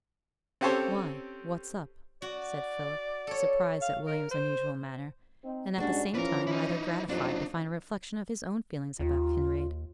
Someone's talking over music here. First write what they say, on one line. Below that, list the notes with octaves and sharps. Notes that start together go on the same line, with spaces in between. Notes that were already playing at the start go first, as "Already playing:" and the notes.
'Why, what's up?' said Philip, surprised at William's unusual manner, and, at the same time, rather gratified to find a reflection of his own feelings about Kinraid.
C4 C#4 G4 A4 C5 C#5
F#4 D5
A4 C#5
F5
A#4
C5
C4 D#4
G#2 G3 G#3 C#4 D4 F#4
E3 F3 C#4 A#4 B4
D#4 E4
A1 F2 F3 F#3 D4 D#4
D#2 F4